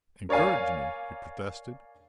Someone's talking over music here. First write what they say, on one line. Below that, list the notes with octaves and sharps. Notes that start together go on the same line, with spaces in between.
"Encouraged me!" he protested.
A#4 C#5 D5 F5 G#5